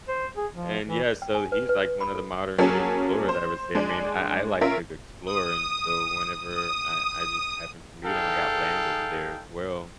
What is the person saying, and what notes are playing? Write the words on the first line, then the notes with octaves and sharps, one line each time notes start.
And yeah. So he's, like, one of the modern-day explorers, I would say. I mean, I I like to g explore. And so whenever I I just happened to meet him. I got land over there as well.
C5
G#4
F3
E3
G5
G#5
B4
B4
B5
A4
F#3 A#3 C#4 G#4 A4
C5
G#3 D4
C#4 F4 A#4 E5
D#6
D#6
D#4 G#4 A4 F5 G5